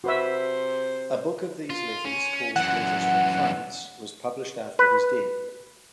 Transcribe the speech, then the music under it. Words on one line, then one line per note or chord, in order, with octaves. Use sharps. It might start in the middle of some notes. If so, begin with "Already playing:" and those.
A book of these letters, called "Letters from France", was published after his death.
C3 F#4 B4 C5 E5
F4
C#4
F#2 E3 F#5
B4